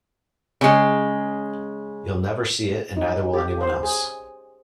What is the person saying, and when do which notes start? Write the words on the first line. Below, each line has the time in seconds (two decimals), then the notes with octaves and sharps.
You'll never see it and neither will anyone else.
0.61 C#3 G#3
2.97 D#4
3.33 G4
3.61 C5
3.83 G#4